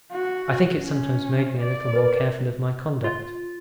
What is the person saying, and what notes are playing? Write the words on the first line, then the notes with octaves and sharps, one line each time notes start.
I think it sometimes made me a little more careful of my conduct.
F#4
C#4
D5
A#4 B4
F4